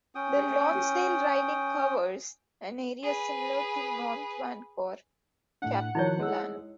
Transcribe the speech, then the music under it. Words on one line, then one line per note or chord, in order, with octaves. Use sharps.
The Lonsdale riding covers an area similar to North Vancouver-Capilano.
C#4 G5 D#6
G#4 B4
A2 A3 D4 F#5
D#3 F3 D#4 E4 F#4 C#5
G#3 E6